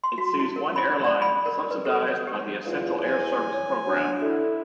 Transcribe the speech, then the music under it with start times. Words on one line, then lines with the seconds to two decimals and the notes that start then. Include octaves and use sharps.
It sees one airline, subsidized by the Essential Air Service program.
0.04 C6
0.18 F#4
0.40 E4
0.56 A#4
0.76 B5
1.04 D5
1.22 B5
1.46 A#4
1.71 B4
1.85 A4
2.08 C#5
2.27 G4
2.65 E2 F4
3.02 G#5
3.51 C#5
3.86 F#3 D4
4.21 D3 E4